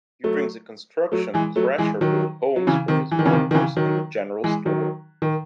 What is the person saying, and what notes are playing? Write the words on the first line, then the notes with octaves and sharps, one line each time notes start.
During the construction Thrasher built homes for his workers and a general store.
F#3 A3
F#3 A3
E3 G#3
F#3 A3
E3 G#3
D#3 F#3
F#3
C#3 E3
C3 D#3
E3
D#3
C#3 E3
C3 D#3
D#3
C#3 E3
D#3 F#3
E3 G#3
D#3 F#3
D#3